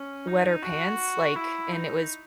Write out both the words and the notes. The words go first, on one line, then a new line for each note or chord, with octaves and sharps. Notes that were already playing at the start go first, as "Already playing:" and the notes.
wet her pants, like, and it was
Already playing: C#4
D#4
F#4
E4
D#4